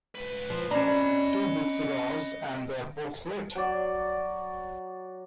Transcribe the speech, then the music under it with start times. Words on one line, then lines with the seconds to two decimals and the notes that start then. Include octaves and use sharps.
Two big cigars and they're both lit!
0.15 C#2 B4
0.50 F3
0.71 C#4 D4 D#5 A#5 B5
3.55 F#3 D5